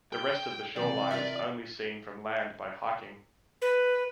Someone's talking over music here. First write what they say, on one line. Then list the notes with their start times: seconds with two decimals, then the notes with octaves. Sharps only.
The rest of the shoreline is only seen from land by hiking.
0.13 G5
0.76 C3 E3 D5 G5
1.11 F4 A#4 E5
3.62 B4